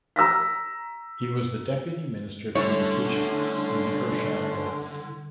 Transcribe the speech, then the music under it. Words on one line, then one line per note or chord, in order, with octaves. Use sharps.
He was the Deputy Minister of Communications in the Ershad government.
A#5 E6 A#6 B6
D3 G3 A3 C#4 E4 C#5 C6